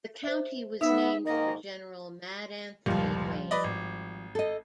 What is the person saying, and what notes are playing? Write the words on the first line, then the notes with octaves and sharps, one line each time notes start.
The county was named for General "Mad Anthony" Wayne.
C5 E5
B3 D#4 E5
G#2 D#3 A#3 D#5
F1 C#2 A#2 F3 G3
B4 D5 D#5
G#1
A4 D#5